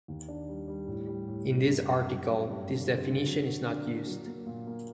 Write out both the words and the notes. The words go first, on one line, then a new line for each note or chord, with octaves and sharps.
In this article this definition is not used.
D#2
D4
G3
G3
A2
G3
A2
G3
F#2
F#2
F#3
F#2
G2
D3
C4
D3
F#3
F#4
D4
A#3
F#3
A#3
A#2
A#3